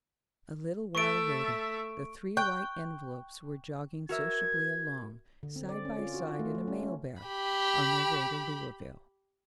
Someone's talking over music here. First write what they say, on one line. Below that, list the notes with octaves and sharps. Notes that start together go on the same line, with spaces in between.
A little while later the three white envelopes were jogging sociably along, side by side in a mail-bag, on their way to Louisville.
A3 E5 C#6 D7
G5 C#6 F#6
F#4 A#4 E5 G#6
D3
C4
D5
C#4
F4
F#4
F4
A3
A3
C#4
C#4
G4 B5